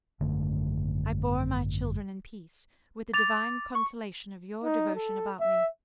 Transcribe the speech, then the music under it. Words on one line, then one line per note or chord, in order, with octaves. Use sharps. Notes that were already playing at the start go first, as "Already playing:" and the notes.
I bore my children in peace, with the divine consolation of your devotion about me.
G#1 F#2 D3 A3
D6 A6 F7
C#6
D#4
A4
E5